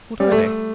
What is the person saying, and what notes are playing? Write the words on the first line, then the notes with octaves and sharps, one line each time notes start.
"What are they?"
G3
A3